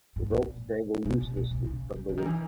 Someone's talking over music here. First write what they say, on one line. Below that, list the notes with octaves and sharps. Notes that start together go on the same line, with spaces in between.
The ropes dangle uselessly from my waist.
G#2
A#2
C3
A#2
A#2
C3
C#3
C#3
D3
D#3
E3